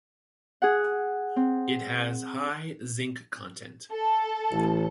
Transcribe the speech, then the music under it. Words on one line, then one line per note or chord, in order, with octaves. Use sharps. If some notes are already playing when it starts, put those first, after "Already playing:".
It has high zinc content.
G#4 F#5
C4
A4
A1